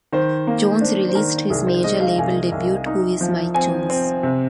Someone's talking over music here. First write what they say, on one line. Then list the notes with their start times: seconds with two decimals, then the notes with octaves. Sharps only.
Jones released his major label debut, Who Is Mike Jones?
0.12 D#3 C5
0.47 A#3
0.81 D4 C5
1.09 C5
1.15 D#3 A#4
1.50 C2 G#4
1.67 C5
1.84 G#3 D#5
2.01 F5
2.18 C2 G#5
2.52 C2
2.86 D#4
3.21 F3
3.54 C4 G#5
3.90 C4
4.23 C3